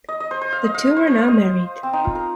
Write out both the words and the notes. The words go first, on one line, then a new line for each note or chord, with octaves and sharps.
The two are now married.
D#5
D#5
C5
C5
F5
D#5
F5
C5
C5
F5
D#5
C4
D#4
F4
A#4